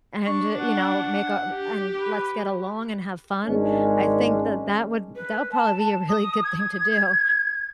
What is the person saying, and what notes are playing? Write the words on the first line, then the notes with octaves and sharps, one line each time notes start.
and, you know, make a and let's get along and have fun, I think that that would that would probably be a really good thing to do.
D4 C#6
F#5
G4
B4
G#1 G#3 C#4 D4
B4
A5
D#6
G#6